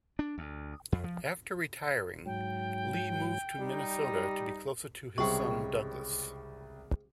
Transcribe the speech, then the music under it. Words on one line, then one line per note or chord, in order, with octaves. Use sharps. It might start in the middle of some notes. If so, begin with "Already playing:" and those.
After retiring, Lee moved to Minnesota to be closer to his son Douglas.
D4
D2
F2
F3
G#2 F#3 G5
G3 D#4 G4
C2 C#3 G3 G#3 C4 C#5 G5 C#6